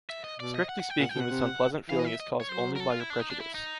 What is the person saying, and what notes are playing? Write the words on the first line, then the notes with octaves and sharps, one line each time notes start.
Strictly speaking this unpleasant feeling is caused only by your prejudice.
E5
D#5
B2 D5
D#5
F#5
F#5
G5
A#2 F#5
G5
B2
F#5
C3
E3 F5
D#5
E5
D#5
C#5
F#3 C5
A#4
A4
F4
E4
D4
D#4
D4
E4
D#4